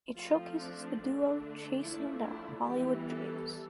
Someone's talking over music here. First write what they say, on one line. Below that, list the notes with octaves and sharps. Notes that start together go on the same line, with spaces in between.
It showcases the duo "chasing their Hollywood dreams".
F3 A3 C4 F4
D4
D3 A3 D4
F3 A3 D4 E4
E4
E3 G3 B3 G4
A4